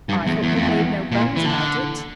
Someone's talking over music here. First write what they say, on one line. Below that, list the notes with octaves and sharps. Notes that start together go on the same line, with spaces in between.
"I hope you made no bones about it."
G2
E2
E2
F2
E2
A#2
E3
D3